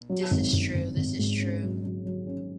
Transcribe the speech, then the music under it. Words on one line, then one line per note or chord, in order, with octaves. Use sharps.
This is true, this is true.
F#3
G#1
G#1
G#1
G#1
G#2
C#4
F#3
F#3
F#3
C#4